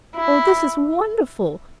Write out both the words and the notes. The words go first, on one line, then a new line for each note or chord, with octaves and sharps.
Oh, this is wonderful!
E4